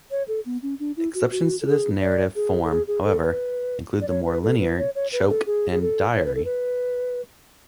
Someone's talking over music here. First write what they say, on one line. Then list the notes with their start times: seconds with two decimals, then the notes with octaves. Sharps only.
Exceptions to this narrative form, however, include the more linear "Choke" and "Diary".
0.11 C#5
0.28 A4
0.45 B3
0.63 C#4
0.80 D4
0.97 E4
1.14 F#4
1.32 F#4
1.61 A4
1.66 G#4
2.01 D5
2.36 G#4
2.65 A4
2.70 G#4
2.87 G#4
3.05 A4
3.22 B4
4.01 D5
4.08 C#5
4.26 B4
4.43 A4
4.60 B4
4.78 C#5
4.95 C#5
5.12 B4
5.30 A4
5.46 G#4
5.72 G#4
5.82 A4
6.16 C#5
6.26 B4
6.35 A4
6.45 B4